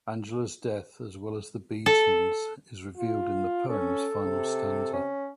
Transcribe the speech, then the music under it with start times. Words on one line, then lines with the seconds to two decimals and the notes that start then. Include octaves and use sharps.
Angela's death, as well as the beadsman's, is revealed in the poem's final stanza.
1.86 A4
2.97 F4
3.69 C#4 A4
4.24 C3
4.93 C#4